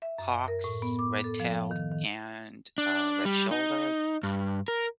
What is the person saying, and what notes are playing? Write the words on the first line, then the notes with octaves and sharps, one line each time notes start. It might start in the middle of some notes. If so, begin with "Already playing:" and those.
hawks, red-tailed, and, uh, red-shouldered,
E5
F#2
A#4
A2
B3
D6
A4
F3
D#3
D#3
D4
G3
D#4
G2
A#4